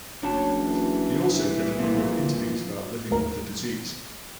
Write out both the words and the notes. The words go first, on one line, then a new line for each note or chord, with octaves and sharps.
He also did a number of interviews about living with the disease.
F#1 D4 F#4 C#5 A5
E3
C2
F2 A#2
D2 A#4